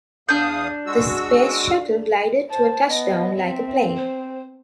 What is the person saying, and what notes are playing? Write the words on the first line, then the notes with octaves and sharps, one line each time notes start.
The Space Shuttle glided to a touchdown like a plane.
E2 D4 F5 D#6 G6
G#3 F#4 E6
C5 A5
B3 D#5
C4 E5
C5